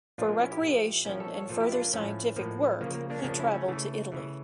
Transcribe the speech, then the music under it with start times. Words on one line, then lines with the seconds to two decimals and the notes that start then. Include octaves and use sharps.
For recreation and further scientific work he travelled to Italy.
0.18 A#2 F3 D4 F4
0.28 A#3 D4
0.40 C#4 E4
0.51 E4 G4
0.62 A#2 F3
1.05 A#2 F3 C#4 E4
1.20 A4 C#5
1.34 A4 C#5
1.49 A#2 F3 F4 A4
1.60 E4 G4
1.72 D4 F4
1.82 A#3
1.93 A2 F3 A3 C#4
2.36 A2 F3 A#3
2.81 C#3 F3 A#3
2.95 A#3
3.10 A#3 D4
3.19 C#4
3.24 C#3 F3 A#3 D4
3.39 C#4 E4
3.53 A3 C#4
3.68 C#3 E3 A3
4.12 C#3 E3